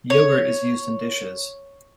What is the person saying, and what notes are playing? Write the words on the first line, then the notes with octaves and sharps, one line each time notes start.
Yoghurt is used in dishes.
C#5